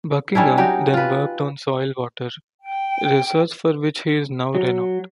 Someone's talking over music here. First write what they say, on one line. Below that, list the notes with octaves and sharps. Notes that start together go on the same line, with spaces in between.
Buckingham then worked on soil water, research for which he is now renowned.
G3 C#4 D4 E4
F#3 D#4 G4
F4 B4
G5
F#3